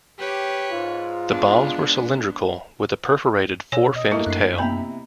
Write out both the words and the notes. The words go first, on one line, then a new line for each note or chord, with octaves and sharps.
The bombs were cylindrical with a perforated four-finned tail.
G4 B4 C#5
G#2 F4
G#3 B3 D4
B2 C#5 G#5 E6
D#5 D#6
A3 A#3 D#4 E4 G#4 A4
F#2 D4 F#6 B6 C7
C3 A#3 B3 E4 A#5 B5